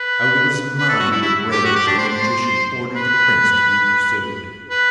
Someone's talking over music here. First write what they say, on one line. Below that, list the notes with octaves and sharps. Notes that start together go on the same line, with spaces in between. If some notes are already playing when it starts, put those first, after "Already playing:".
Out of his mind with rage, the Magician ordered the Prince to be pursued.
Already playing: B4
B4
A4
F#4
E4
E4
G4
F#4
G4
D4
C5
C5
B4
B4